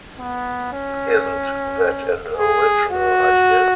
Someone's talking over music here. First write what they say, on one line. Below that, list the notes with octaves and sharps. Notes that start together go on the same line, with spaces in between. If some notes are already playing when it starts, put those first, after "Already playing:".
Isn't that an original idea?
B3
C#4
G#4
F#4